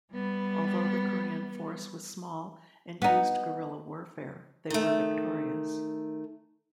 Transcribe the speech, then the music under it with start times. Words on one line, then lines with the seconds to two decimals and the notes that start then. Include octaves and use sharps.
Although the Korean force was small and used guerrilla warfare, they were victorious.
0.12 G3 B3
3.02 B3 D#4
4.70 D#3 A3